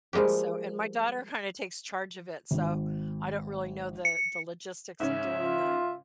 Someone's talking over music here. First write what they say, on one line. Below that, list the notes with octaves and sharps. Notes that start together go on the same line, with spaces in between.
And so and my daughter kinda takes charge of it, so I don't really know the the logistics of doing the
F3 G3 G#3 A#3 G4
G#1
C#7
G#2 C#3 C#4 E5
F4